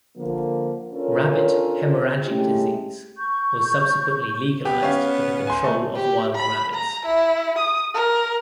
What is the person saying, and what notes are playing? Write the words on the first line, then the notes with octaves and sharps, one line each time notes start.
Rabbit hemorrhagic disease was subsequently legalised for the control of wild rabbits.
D3 F3 A#3
C#4 D4 F4 A4 A#4 C#5
G#3 A3 C#4 E4 G4
C#6 G6
B3 G4
C#4 F5
G#5 C6
A3
G4
B5
A#5
E4
D#6
A#4